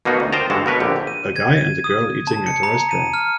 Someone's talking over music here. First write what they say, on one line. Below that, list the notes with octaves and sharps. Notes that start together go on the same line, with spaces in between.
A guy and a girl eating at a restaurant.
B2 A#3 B3 D#4 F#4
D2
A#4 C5 D#5 G5 A5 A#5
G2 D3 G#3 F#4 A5
B2 A#4 B4 C#5
A#1 D3 G4
D#7
G#6
D#7
D#6
A5
C#7
A#5
D#7
F6